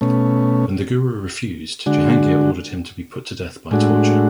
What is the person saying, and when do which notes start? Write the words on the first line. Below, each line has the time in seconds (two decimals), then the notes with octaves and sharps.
When the Guru refused, Jahangir ordered him to be put to death by torture.
0.01 B2 A3 C#4
1.86 D3 G#3 D4 F#4
3.71 A2 G#3 D4 F#4